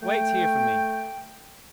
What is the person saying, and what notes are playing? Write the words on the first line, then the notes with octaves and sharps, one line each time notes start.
"Wait here for me."
A3 G5